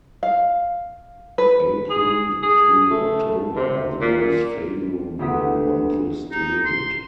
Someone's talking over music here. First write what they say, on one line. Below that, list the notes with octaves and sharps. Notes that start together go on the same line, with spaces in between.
April through October are the most favorable months to visit.
F5
B4
G#4
G#4
A3
C3
A#2
D2 B3 G4 F#5 D#6 B6
D#4
C6